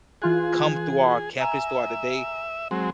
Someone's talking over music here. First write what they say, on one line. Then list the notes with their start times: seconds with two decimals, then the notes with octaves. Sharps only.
come through our campus throughout the day
0.22 E3 F4 G#4 F#6
1.40 E5 G#5 A#5
2.71 F#3 G#3 C4